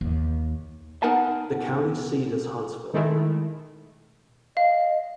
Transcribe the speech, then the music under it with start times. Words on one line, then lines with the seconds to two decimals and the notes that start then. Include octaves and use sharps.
The county seat is Huntsville.
0.01 D#2
1.03 B3 D#4 A#4 F#5 G#5 A5
2.94 D#3 G#3 A3 E4
4.57 D#5 F5